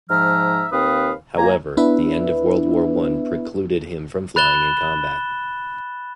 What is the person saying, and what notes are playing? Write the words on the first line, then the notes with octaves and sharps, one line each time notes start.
However, the end of World War One precluded him from flying in combat.
G#2 F3 E5 A#5 F6
D#2 C4 B4 F5 D#6
C#2 A#3 G#5 A#5
B3 D4 E4 B4 E5
B5 F#6 A6 E7 G7